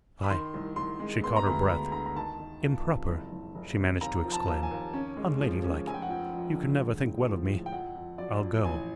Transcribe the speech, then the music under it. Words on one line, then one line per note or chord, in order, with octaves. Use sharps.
I--" she caught her breath--"improper"--she managed to exclaim, "unlady-like--you can never think well of me--I'll go.
B5
D#3 C6
C2
C2 C6
G#3
B3 C6
A#5
D2 B5
B3 B5
D3 A#5
A#5
D#3 A5
D#3
C#2
C3
F#1
F#1
F#1
C3
D#2 A#5
F3
A5
D#2
G#5
D#2
C#4
G#3
F3
C#4
F1 G#5
G5
F#5
F3 G5
F2
D3
G#3
A2
F3
A2
G5
F2 F#5
F2
F#3 D5
F2
A1 G#5